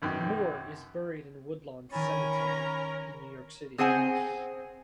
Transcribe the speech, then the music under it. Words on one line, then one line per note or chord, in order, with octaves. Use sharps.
Moore is buried in Woodlawn Cemetery in New York City.
B1 F#2 D#3
D#3 C#4 A#4 E5 G#5 B5 A6
C4 G#4 C5 F#5 G#5